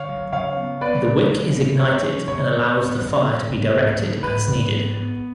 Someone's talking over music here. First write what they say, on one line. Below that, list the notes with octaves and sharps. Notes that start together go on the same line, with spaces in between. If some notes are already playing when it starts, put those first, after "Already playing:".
The wick is ignited and allows the fire to be directed as needed.
Already playing: D3 C#5 F5
F#3
C#3 C#5 F5
B3
B3 B4 D5
G#3
C#3
C#3
F3 C#5
C#4
B2 C#5
B2
B3
C#3
F3
G#2
A2
A2
G#2 B4
G#2
B3
B3